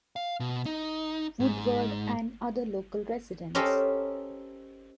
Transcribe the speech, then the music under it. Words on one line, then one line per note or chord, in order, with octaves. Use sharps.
Woodward, and other local residents.
F5
B2
D#4
G#2
C#4 G4 A4 A#4 C5 D#5